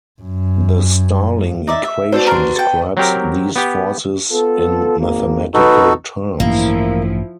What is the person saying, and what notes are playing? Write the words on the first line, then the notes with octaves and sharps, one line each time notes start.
The Starling equation describes these forces in mathematical terms.
F#2
D#4 D5 E5
E5
B3 F#4 A4 D5
A#4 C6
A4 G5
F#3 C4 G4 A#4
B3 G4
B3 F4 A4
G#1 A#3
B1 D#4 F#4 A4 B4
A1 G2 F3 A#3 E4